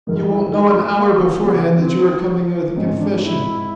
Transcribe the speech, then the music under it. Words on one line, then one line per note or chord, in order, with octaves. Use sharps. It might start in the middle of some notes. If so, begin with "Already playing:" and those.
You won't know an hour beforehand that you are coming with a confession.
F#2 D#3 G#3 A#4
E4
D#4
A3
A#3
A#3
C#3 F3 A#3 B3
C4
G#2 D#3 G#3 C4 C#4 D#4
D4
E4